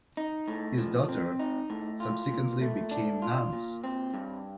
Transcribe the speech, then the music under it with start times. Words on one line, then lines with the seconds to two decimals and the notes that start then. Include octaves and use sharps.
His daughters subsequently became nuns.
0.17 D#4
0.48 A2
0.78 F3
1.09 C4
1.39 D#4
1.70 A2
2.00 F4
2.31 A#2
2.61 A3
2.91 D4
3.22 F4
3.53 A#2
3.84 C4
4.14 G2